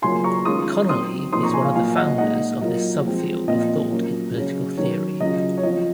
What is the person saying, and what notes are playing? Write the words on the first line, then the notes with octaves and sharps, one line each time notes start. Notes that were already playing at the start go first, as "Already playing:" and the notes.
Connolly is one of the founders of this subfield of thought in political theory.
C#3 F#3 A#3 C#4 F4 G#5 C6
A#5 C#6
D#3 G#3 C#4 F4 C6 D#6
F#3 C4 D#4 C6 D#6
A#2 F3 C4 D#4 C6 D#6
A#5 C#6
G#5 C6
F5 G#5
A#2 F#3 A#3 F4 F5 G#5
D#5 F#5
A#2 G#3 D#4 D#5 F#5
F#3 A#3 F4 D#5
F3 G#3 C4
A#2 F3 C4 F4 D#5
F#3 A#3 C#4 F4
C#3 F#3 C#4
D#3 F#3 C#4 C#5
C#3 F#3 C#4 F4 D#5
C#5
F3 C4 F4 D#5